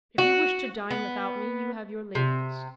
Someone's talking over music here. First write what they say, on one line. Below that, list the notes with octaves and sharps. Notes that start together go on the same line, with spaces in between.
If you wish to dine without me you have your ladies.
F#4
B3
C3